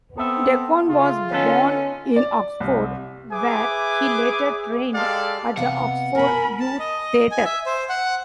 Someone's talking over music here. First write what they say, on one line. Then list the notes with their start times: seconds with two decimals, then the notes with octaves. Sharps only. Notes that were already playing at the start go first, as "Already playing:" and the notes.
Deacon was born in Oxford, where he later trained at the Oxford Youth Theatre.
0.17 B3 C4 A4 E5
0.88 C#3 F4
1.31 D3 B3 C#4 D#4 A4
2.16 D5
2.60 C2
3.32 G#4 B4 E5 G#5 D6
4.94 G#3 G4 A4 D5 F5
5.57 C3 B3 F5 F#5
6.15 B2 A4 A#4 G#5 B5
6.60 A5
6.79 D#5
7.31 G#5
7.45 E5
7.66 C5
7.89 F#5